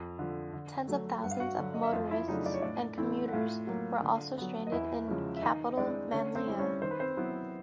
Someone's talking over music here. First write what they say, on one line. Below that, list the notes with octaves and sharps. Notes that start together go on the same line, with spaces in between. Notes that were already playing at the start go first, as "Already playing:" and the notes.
Tens of thousands of motorists and commuters were also stranded in capital Manila.
Already playing: F2
D3 F3
D3
F#3 A3
G2 F#5
F5
F#4 F#5
D3 F#3
D#5
E5
F2 F4 F5
E4 E5
C#3 F#3 A3 D4 D#4 D#5
D5
C#5
A2 D4 D5
E3 A3 C4 E4
F#5
A2 F4 F5
F#3 A#3
D3
F#3 B3
D#5
E2 E4 E5
C#3 F3 G#3 C#4
E5
D#3 D#4 D#5
G#3 C4 D4 E4 D5
D3 C#4 C#5
C4 C5
G3 C4 E4
C#4 C#5
D#3 C5
B4
C4 C5
F#3 B3 E4 B4